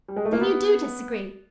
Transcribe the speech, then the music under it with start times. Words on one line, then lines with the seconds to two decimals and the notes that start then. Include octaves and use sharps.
Then you do disagree.
0.08 G3
0.17 G#3
0.25 A3
0.33 A#3
0.41 B3